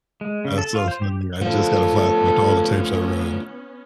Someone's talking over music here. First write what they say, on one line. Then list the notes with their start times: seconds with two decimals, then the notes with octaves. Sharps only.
That's so funny, I just got a flashback to all the tapes I ruined.
0.21 G#3
0.45 C#3
0.58 A4
0.75 F4
0.88 C5
1.02 G4
1.41 F3 A3 B3 C#4 D4 A4